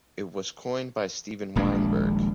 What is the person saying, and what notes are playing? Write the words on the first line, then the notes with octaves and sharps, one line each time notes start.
It was coined by Stephen Weinberg.
D#1 A#1 G#3 D4